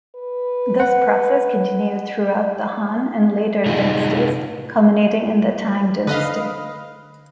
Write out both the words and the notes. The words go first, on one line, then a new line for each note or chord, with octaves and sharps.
This process continued throughout the Han and later dynasties, culminating in the Tang Dynasty.
B4
F#5
A2 C3 G#3 D#4 F4
D3 B4 D#5 F5